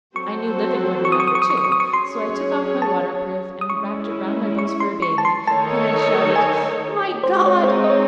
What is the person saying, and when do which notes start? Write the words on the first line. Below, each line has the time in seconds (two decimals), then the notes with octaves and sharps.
I knew Living would remember, too, so I took off my waterproof and wrapped it round my books for a baby; then I shouted, 'MY GOD!
0.16 F#3 C4 F#4 A4 C5 C#6
1.05 C#6
1.12 D#6
1.20 C#6
1.27 D#6
1.35 C#6
1.42 D#6
1.50 C#6
1.57 D#6
1.64 C#6
1.72 D#6
1.80 C#6
1.93 F#3 C#4 G#4 C#5 C6
2.82 A5
3.61 D#6
3.70 G#3 C#4 E4 C#6
4.59 C#6
4.80 C6
5.02 C#6
5.18 A5
5.25 C6
5.47 D#3 A3 D#4 A4 C#5 A5
6.36 G#5
7.23 G#3 C4 D#4 C5
7.46 C#5
7.63 C5
7.68 C#5
7.84 D#5
7.90 C#5